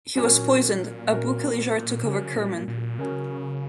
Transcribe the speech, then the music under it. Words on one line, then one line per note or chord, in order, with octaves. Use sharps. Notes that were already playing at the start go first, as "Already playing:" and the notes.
He was poisoned; Abu Kalijar took over Kerman.
A#2 F#3 C#4 A#4
F#3 C#4 A#4
C#3 F#3 C#4 A#4
A#2
A#2
C#3 F#3 C#4 A#4